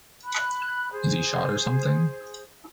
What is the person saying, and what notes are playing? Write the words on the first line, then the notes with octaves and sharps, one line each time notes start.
Is he shot or something?
B5 F#6
G#4 C5